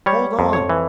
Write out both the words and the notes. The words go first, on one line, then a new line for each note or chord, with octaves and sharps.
"Hold on!"
G3 C#5
F2
C#5
E3